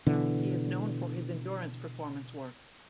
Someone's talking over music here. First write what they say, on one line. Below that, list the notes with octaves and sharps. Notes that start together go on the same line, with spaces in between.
He is known for his endurance performance works.
B2 D3 E3